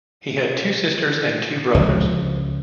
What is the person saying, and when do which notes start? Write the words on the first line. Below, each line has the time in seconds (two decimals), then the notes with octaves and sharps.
He had two sisters and two brothers.
1.74 C#2 F3